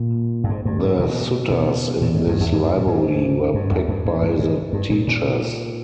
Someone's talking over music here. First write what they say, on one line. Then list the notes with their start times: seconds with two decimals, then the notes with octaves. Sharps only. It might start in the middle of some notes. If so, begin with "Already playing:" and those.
The suttas in this library were picked by the teachers.
Already playing: A#2
0.44 G2
0.49 G#2
0.65 G2
0.83 G#2
0.99 B2
1.50 B2
2.02 A#2
2.14 G#2
2.27 G2
2.40 E2
2.52 G2
2.77 A#2
2.87 G#2
3.54 G2
3.71 E2
3.88 G2
4.05 G#2
4.23 G2
4.39 G#2
4.73 G2
4.90 A#2
5.07 A#2